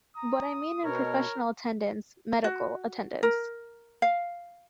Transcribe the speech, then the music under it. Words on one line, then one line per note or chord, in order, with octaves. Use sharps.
But I mean in professional attendance, medical attendance.
A#5 D#6
B2 A#4 C#5
F#4
A#4
F5